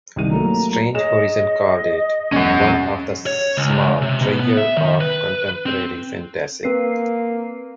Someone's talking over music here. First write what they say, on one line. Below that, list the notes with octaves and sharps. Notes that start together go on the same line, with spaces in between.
Strange Horizons called it "one of the small treasures of contemporary fantasy".
C2 D#3 D#7
F#3 A3 A#3 A#5
G#4 C#5 D#5 E7
E1 C#4 F#5
C#5
C#2
C3
B2
B3
E5
D#3
B4
C4
A#3 C4 B4 C7